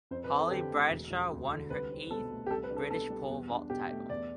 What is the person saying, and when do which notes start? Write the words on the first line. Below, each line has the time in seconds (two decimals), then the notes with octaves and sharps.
Holly Bradshaw won her eighth British pole vault title.
0.11 F2 C5
0.24 B4
0.30 C4
0.37 A4
0.51 D3 G4
0.71 A3
0.90 E1
1.11 E1
1.31 D2
1.50 D3
1.70 C2 B4
1.91 C4
2.11 B2 A4
2.31 A3
2.47 G4
2.50 C2 A4
2.63 B4
2.70 D4
2.77 A4
2.90 B2 A4
3.10 G3
3.30 E2
3.50 D4
3.70 B2 G4
3.91 A3
4.10 E2 D5